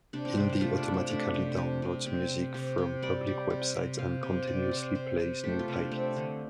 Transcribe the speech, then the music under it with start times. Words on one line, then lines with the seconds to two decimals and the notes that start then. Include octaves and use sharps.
Indy automatically downloads music from public websites and continuously plays new titles.
0.13 C3 D4
0.25 C4
0.37 C3 D4
0.49 D4
0.61 A3 F4
0.78 D4
0.85 C3
0.94 D4
1.09 A3 D4
1.34 C3
1.57 C3
1.82 C3
2.06 C3 C4
2.30 C3
2.54 C3
2.78 C3
3.02 G3 D5
3.27 G3
3.50 C3
3.75 C3
3.98 C3 F5
4.23 C3
4.47 C3 D5
4.71 C3
4.95 C3 C5
5.20 C3
5.44 A3 G4
5.59 F4
5.68 C3
5.76 D4
5.91 A3 C4
6.16 D3